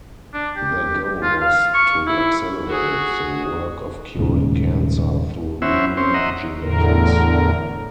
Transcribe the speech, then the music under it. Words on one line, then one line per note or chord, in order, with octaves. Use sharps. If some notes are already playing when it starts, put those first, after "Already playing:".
Their goal was to accelerate the work of curing cancer through human genetics.
D4
G4
F4
F5
C#6
E4
F#4 G#4
D#1 D#2 G#2 C#3
C#4 E4 F#4 C5 E5
C4 C#4 C5
D#5 E5 F#5 A#5 C6
E2 A2 D3 A#4